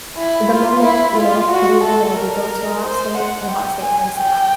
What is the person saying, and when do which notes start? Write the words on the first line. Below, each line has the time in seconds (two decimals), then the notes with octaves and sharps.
the moment, you know 'cause usually when I do go to a hot state, the hot state tends to
0.17 E4
0.50 F4
0.84 E4
1.17 F4
1.51 F#4
1.84 A4
2.17 A#4
2.84 C5
3.17 F#5
3.51 G5
3.84 G#5
4.18 G5